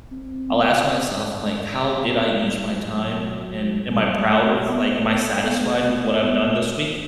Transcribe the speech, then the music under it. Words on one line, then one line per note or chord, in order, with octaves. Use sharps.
I'll ask myself, I'm like, "How did I use my time?" And, "Am I proud of, like, am I satisfied with what I've done this week?"
C4
B3
B3
G3
F#3
G3
A3
B3
A3
B3
B3
B3